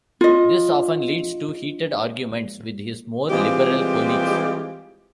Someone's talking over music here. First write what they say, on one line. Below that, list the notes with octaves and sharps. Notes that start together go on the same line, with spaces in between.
This often leads to heated arguments with his more liberal colleagues.
F4 D#5
E3 G3 G#3 C4 F4 G4